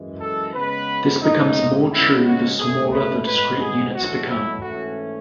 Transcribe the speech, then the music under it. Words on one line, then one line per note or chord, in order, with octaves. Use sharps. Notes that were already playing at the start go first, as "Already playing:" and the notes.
This becomes more true the smaller the discrete units become.
Already playing: F#2 E3 G#3
A4
C#3 G#3 B3 B4
A2 G#3 B3 D#4
C#3 G#3 B3 E4
F#4
B2 A3 C#4 G#4
B4
A2 G#3 B3 B4
G#4
E2 B2 F#3 A3 F#4
E4
G#2 E3 A3 C#4 F#4